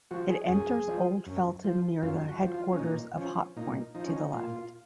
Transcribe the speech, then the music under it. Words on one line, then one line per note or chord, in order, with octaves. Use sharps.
It enters Old Fletton near the headquarters of Hotpoint to the left.
F3 F#4
G#4
F#2 G#4
F3
F#2
F3
F#2 F4
F#4
F3
F4
C#4
A#2 D#4
F3 C#4
A#2 D#4
F3 D#4
C#4
D#4
A#2 F4